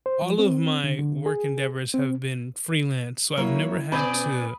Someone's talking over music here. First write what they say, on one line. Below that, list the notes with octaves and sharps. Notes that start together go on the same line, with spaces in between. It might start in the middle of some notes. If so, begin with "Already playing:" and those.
all of my work endeavors have been freelance, so I've never had to
C5
F3
C4
D3
D3
G#4
C4
F#3 A#3 E4 C#5
B2 B3 D5 G#5 B5 D#6